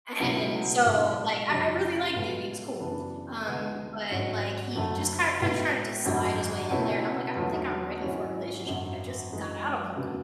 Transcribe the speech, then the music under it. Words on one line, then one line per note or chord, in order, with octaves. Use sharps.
and so like I I really like dude, he was cool, um, but like, he just kind kinda tried to slide his way in there, and I'm like, "I don't think I'm ready for a relationship, like, I just got out of one
C#2 B2 F#3 C#4 E4
B1 A2 G#3 D4
F#2 C#3 F#3 C#4
A2 G#3 B3 F#4 A4
F#2 C#3 E3 B3 D4
D2 D3 G#3 B3
G#1 G#2 F#3 C#4
F#1 F#2 D3 A3
A2 G#3 B3 F#4
G#1 F#2 D3 F#3 A3
C#2 B2 A3 C#4 E4
E2 D3 F#3 A3 C#4
G#1 G#2 F#3 C#4 E4
G#1 F#2 D3
F#2 E3 G#3
F#1 E2 C#3 F#3